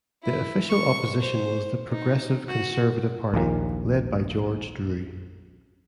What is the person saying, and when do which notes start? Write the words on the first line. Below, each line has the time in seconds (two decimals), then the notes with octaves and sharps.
The Official Opposition was the Progressive Conservative Party, led by George Drew.
0.23 E4
0.70 C#6
1.20 C5
1.91 D#4
2.48 F#4
3.34 A#1 D#2 A#2